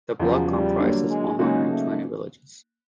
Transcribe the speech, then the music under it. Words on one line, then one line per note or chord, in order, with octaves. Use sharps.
The block comprises one hundred and twenty villages.
E2 C#3 F3 F#3
G3
D3 F#3 A#3
G#3
C#3 F#3 G#3 A#3 D#4 F#4
A3